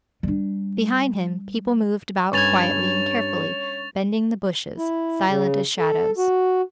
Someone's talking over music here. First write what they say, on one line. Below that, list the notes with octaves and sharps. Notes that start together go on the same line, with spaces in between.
Behind him people moved about quietly and carefully, bending the bushes, silent as shadows.
G3 D4
G2 C#4 C#5 C#6 G#6 A6 F7
E4
C#3
A4
F#4